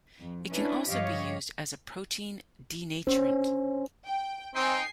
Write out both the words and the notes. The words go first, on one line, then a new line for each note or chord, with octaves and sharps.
It can also be used as a protein denaturant.
F2
C#4 D4 E4 B4
G2 F3 G4 C#5 D#5 F5
C#4 D4 C5
G5
C4 D#4 G5 G#5 C7